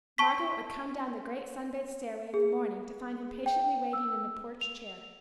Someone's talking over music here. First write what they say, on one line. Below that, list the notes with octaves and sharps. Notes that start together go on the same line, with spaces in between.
Margaret would come down the great sun-bathed stairway in the morning to find him patiently waiting in a porch chair.
A5 C#6 B6
G#4
G5
E6
F7